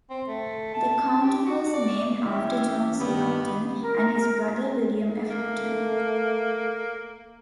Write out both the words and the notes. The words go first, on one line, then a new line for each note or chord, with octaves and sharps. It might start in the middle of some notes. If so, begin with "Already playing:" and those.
The county was named after John C. Upton and his brother William F. Upton.
C4
A3
A5
G4
F#4
D5
E3 C#4 G4 E5
G2 D#3 B3 G4
A#4
A3 A#3